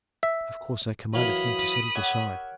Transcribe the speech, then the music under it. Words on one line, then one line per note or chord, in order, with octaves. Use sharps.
Of course I commanded him to set it aside.
E5
E3 F#3 A#4 F5 B5 D#6
G4 C#5 E5 F#5